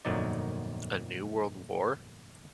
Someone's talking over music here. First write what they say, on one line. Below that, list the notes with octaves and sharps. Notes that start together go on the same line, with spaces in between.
A New World War?
G1 F2 A#2 F#3 D#4 D5